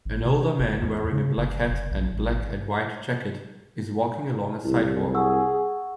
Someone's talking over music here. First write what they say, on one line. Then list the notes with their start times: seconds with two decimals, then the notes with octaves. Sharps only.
An older man wearing a black hat and black and white jacket is walking along a sidewalk.
0.05 G#1
0.25 C3
0.59 G1
0.82 E2
1.12 C#3
1.37 F#1
1.71 F#1
1.91 A#1
2.12 G#1
4.65 C2 E4
5.14 G#4 F#5 C#6 E6